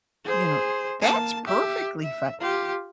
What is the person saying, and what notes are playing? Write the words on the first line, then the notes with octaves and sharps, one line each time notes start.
You know? That's perfectly fine.
G#4 C5
A#3 A5
G4 E5
E5
F4 G4